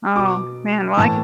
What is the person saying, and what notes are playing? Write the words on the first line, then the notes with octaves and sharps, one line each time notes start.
Oh man, well, I g
B2 D6
A2 E3 A5